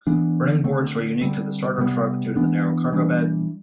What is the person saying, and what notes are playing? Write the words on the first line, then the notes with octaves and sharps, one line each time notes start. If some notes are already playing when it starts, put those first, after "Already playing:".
Running boards were unique to the starter truck due to the narrow cargo bed.
E3 B3 D4
D3 A3 C4
D3 G3 C4
C3 G3 B3
E3 B3 D4
E3 G3 D4